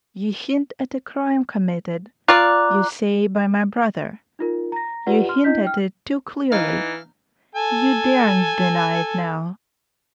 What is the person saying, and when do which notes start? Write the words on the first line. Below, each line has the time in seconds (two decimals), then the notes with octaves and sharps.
You hint at a crime committed, you say, by my brother. You hint at it too clearly; you daren't deny it now.
2.28 F4 D5 A#5 D6 F#6
4.39 D#4 F4 A#4
4.72 A#5 A#6
5.07 F4 G4 B4 D5 F#5
5.29 C6 F6
5.44 D4 E4 D#5 G6 B6
5.65 G5 F6
6.52 E3 D#4 F5
7.55 A4 G#5